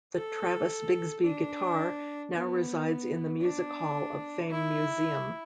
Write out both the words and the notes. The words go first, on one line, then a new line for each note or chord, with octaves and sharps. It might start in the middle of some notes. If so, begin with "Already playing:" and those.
The Travis-Bigsby guitar now resides in the Music Hall of Fame Museum.
A4
D4
B3
D4
E4